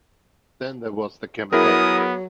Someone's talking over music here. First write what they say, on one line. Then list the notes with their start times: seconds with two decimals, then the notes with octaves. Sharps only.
Then there was the campaign.
1.53 F#3 B3 E4 G#4 A#4 D#6